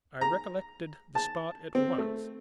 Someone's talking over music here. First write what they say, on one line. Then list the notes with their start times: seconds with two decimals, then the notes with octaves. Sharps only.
I recollected the spot at once.
0.21 A#5
1.15 A5
1.75 C4
1.98 A3